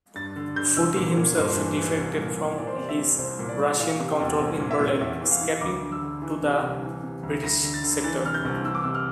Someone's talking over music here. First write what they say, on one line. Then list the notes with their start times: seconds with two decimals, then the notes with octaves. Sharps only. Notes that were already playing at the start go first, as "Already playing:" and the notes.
Foote himself defected from his Russian control in Berlin, escaping to the British sector.
0.15 G2 A6
0.36 D3
0.56 D3 G6
0.76 C2 E6
0.96 A#2
1.17 A#2
1.37 G2 C5
1.57 E3
1.78 E3
1.98 C2
2.18 A#2
2.38 A#2
2.58 E3 D5
2.67 C5
2.76 C3 D5
2.89 E5
2.99 F2
3.18 C2 C5
3.39 A#2
3.49 D5
3.59 A#2
3.79 E3 F5
4.00 C3
4.10 G5
4.20 E2
4.41 C2
4.60 A#2
4.71 E5
4.81 A#2
5.01 E2 E5
5.21 E3
5.31 F5
5.41 E3
5.61 D2 D6
5.82 D3
5.92 E6
6.02 D3
6.22 E3
6.42 C3
6.63 C2
6.83 E3
7.03 C3
7.23 D2
7.43 D2 A#6
7.64 D3
7.74 A6
7.84 D3
8.04 E3 A6
8.24 C3 F6
8.34 G6
8.45 C2
8.65 E3 E6
8.75 D6
8.84 C3 E6
8.95 F6